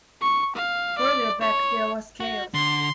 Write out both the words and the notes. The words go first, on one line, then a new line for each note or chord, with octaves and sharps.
Further back there was chaos.
C#6
F5
D5
C#5
F#4
D3 C6